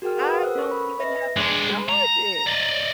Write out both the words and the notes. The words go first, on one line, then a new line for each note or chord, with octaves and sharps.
I don't even have to charge it!
F#4 G#4 A#4 G5 F6
B4 F#5 D#6
A#4 C5 E6 F#6
C#4 A4 C#6
B5
B4 D#5 E5 A#6
G#3 D4
A#5
D5 D#5